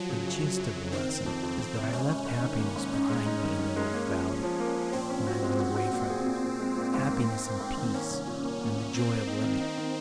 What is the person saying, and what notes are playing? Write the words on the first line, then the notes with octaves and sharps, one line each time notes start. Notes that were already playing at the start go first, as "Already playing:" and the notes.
The gist of the lesson is that I left happiness behind me in the old valley, when I went away from it, happiness and peace and the joy of living.
Already playing: F3 F#3
C#3
F#2
F#2
F#2
C#3
D#3 C4
D#3
F2
F2
F2
C3
G#1 C#4
G#1
G#1
D#3
A#3
G#2
C#4 D#4
G#3
D#4
D#3
D#3
G#3
A#3 C#4
F3
F3
F3
A#3
F3
A#2 C4
C#4
F#4
G#3
F#4
F#4
A#2
G#4
A#2
A#2
G#3
A#2
G#2 C4
A#3
G#2
A#3
G#2
D#3
A#3 C#4
C2
A#2
A#3
A#3
A#3
A#3 C4
A#3
D#4
D#3
D#4
D#3